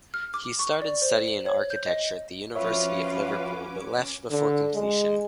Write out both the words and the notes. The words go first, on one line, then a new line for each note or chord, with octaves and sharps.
He started studying architecture at the University of Liverpool but left before completion.
F6
D6
C#6
D5
C5
F#7
C#5
G6
D#5
F3 C#4 F4 F#4 B4 C#5 E5 D6
D3
G#3